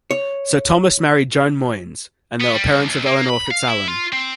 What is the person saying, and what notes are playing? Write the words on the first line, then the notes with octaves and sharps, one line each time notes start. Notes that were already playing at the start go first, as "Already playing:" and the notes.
Sir Thomas married Joan Moyns, and they were parents of Eleanor FitzAlan.
C#5
B3
G3
C2
C#2
A#3
B5
F5
E4
F4
C4